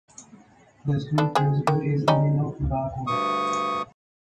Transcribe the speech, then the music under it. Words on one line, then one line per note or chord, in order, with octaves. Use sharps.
The school principal is Lino Bracco.
B3 D4 A4
G#3 C4 G#4
D#3
G3 C#4 D#4
D2 G2 C#6 D#6